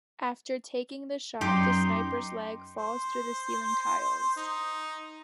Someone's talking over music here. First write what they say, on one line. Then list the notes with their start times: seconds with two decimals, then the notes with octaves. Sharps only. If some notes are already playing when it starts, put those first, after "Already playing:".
After taking the shot, the sniper's leg falls through the ceiling tiles.
1.41 F#2 D#4 G4 C6
2.77 C5
4.36 D#4